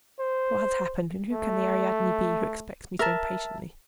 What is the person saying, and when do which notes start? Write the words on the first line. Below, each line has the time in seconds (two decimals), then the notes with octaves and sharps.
What has happened, and who can the Ariadne be who expects me so impatiently.
0.19 C5
1.32 A3
2.99 A#4 E5 A5